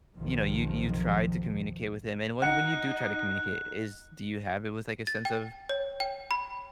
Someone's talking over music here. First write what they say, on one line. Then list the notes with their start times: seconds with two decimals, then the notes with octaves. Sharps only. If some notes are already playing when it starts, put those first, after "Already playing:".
you know, you you tried to communicate with him, and when when you do try to communicate, is do you have it with, like, a sense of
0.16 B1 F2 C3 D#3 F3
2.42 D#4 F#5 F#6 C#7
5.07 A6
5.25 G5
5.69 C#5
6.00 G5
6.31 B5